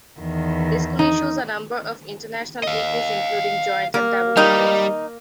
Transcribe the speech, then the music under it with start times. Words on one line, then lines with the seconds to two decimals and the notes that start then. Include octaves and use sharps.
The school issues a number of international degrees, including joint and double degrees.
0.20 E2 D#3
0.99 D#4
2.63 D#5 F5
3.94 A#3
4.37 D#3 G3 D#4